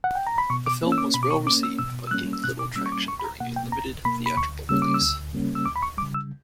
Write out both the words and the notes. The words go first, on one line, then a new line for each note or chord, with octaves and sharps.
The film was well-received but gained little traction during a limited theatrical release.
F#5
G5
A#5
B5
B2 C#6
D6
A#3 C#4
E6
D6
B2 B5
D6
C#6
A#3 C#4 D6
E6
B2 E6
E6
G3 A#3 C#4 F#6
E6
B2 F#6
D6
G3 A#3 C#4 E6
C#6
D6
C#2 C#6
B5
A#5
B2 A#3 F#5
G5
C#2 A#5
B2 A#3 B5
B5
D2 C#6
C#3 G3 A#3 C#4 E6
D6
E6
D2
C#3 G3 A#3 C#4
E6
D2 D6
B5
C#6
C#3 G3 D6
E6